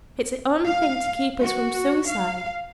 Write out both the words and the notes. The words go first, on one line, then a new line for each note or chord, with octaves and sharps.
It's the only thing to keep us from suicide.
F5
F#4
F5